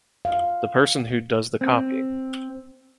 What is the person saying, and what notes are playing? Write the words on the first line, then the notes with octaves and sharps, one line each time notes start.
The person who does the copying.
F5
C4